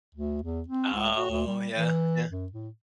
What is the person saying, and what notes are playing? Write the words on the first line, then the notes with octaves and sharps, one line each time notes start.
Oh, yeah. Yeah.
D2
E2
C4
C#2
F#4
D2
G3
E3
F#2
A2